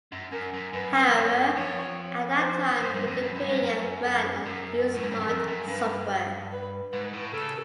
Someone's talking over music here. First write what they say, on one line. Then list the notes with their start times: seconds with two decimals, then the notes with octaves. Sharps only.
However, at that time, Wikipedia ran on UseMod software.
0.12 F#2
0.32 F#2 A#4
0.53 F#2
0.73 F#2 B4
0.94 F2
1.05 F2
1.14 F#2 C#5
1.56 F2 C#5
2.39 C5
2.80 F#2 C5
2.94 G2
3.07 F2
3.22 F#2 B4
3.35 F#2
3.48 G2
3.62 F#2 A#4
4.04 A4
4.46 F#2 A#4
4.86 A#4
4.95 A2
5.03 G#2
5.11 G2
5.20 F#2
5.28 F2 A#4
5.48 F#2
5.68 G2 B4
6.52 B4
6.92 G#2 B4
7.13 A2
7.34 C#3 A4